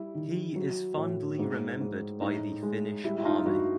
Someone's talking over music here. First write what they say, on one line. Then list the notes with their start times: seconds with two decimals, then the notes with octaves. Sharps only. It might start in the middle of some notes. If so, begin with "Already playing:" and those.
He is fondly remembered by the Finnish Army.
Already playing: G3 E4
0.15 D#3
0.56 F#3
0.97 A2
1.39 G#2
1.81 G#2
2.22 A2 D#4
2.63 G#3
3.04 G3 E4
3.18 E4
3.25 D#4 F4
3.45 G2 E4 F#4